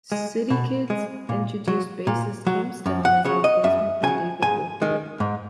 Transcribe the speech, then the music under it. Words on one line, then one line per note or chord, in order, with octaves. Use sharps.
"City Kids" introduced bassist Kim Stone as the replacement for David Wofford.
G#3
B2
G#3
A#2
F#3
A#2
F#3
F#2
F#5
C#3 F#3 C#5
D#5
F#2 E5
C#3 F#3 G#5
G#2 G#5
D#3 G#3
G#2